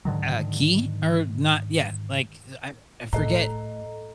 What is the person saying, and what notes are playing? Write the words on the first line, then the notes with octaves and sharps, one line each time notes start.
uh, Key or not yeah, like, I I forget.
G#2 D3 D#3 F#3
A2 A4 D#5 A#5